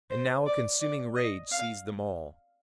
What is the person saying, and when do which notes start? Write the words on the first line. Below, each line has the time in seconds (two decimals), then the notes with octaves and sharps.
And now a consuming rage seized them all.
0.10 C5
0.46 D5
0.80 D5
1.16 D#5
1.51 F5